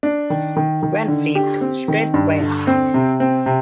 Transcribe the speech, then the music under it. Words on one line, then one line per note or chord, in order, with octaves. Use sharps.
Van Fleet State Trail.
D4
D#3
D#3
D#3
D3
G4
C4
D#3
G2
D3
C4
C3
C4
C3